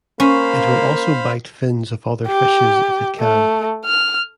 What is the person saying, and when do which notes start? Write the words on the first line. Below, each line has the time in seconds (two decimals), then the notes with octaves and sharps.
It will also bite fins of other fishes if it can.
0.20 A#3 C#4 C5 F5 B5
2.28 G4
3.20 A3
3.85 F6